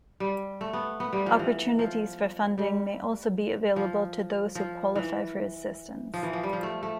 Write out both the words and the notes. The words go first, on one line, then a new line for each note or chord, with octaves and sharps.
Opportunities for funding may also be available to those who qualify for assistance.
G3
A3
B3
B3
G3
F3
E3
F3
G3
F3
F3
E3
F3
E3
F3
G3
F3
A3
A3